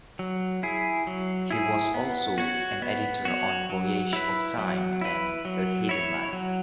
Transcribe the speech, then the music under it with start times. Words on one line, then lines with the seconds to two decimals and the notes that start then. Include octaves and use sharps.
He was also an editor on "Voyage of Time" and "A Hidden Life".
0.19 F#3
0.63 E4 G#4
1.07 F#3
1.51 E4 G#4
1.94 B3
2.38 F#4 C#5
2.82 B3
3.25 F#4 C#5
3.70 F#3
4.13 E4 B4
4.57 F#3
5.01 E4 B4
5.45 F#3
5.89 E4 C#5
6.33 F#3